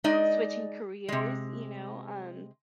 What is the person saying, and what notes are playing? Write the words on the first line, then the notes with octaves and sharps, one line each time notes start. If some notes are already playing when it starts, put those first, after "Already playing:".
switching careers, you know, um,
G#3 D#4 D5 D#5
C3 G#3